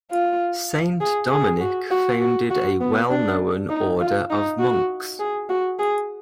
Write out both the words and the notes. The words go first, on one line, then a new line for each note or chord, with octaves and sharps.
Saint Dominic founded a well-known order of monks.
F4
G#4
G#4
F#4
F#4
F#4
F#4
B3
D4
D#4
F4
D#4
F#4
G#4
F#4
G#4